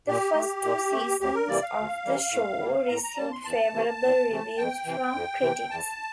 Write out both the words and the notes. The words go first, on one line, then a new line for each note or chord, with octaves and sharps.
The first two seasons of the show received favorable reviews from critics.
A#2 G4
A3
A#2
A3
D2 G4
A#4
C3 E3 G3 A#3 D5
F5
D2
C3 E3 G3 A#3
A2
G3 A#3
A2 A#5
A#5
G3 A#3 A5
C6
E2 A5
C3 E3 A3
E2
C3 E3 A3
F2 G5
C3 E3
F2
C3 E3
E2 A5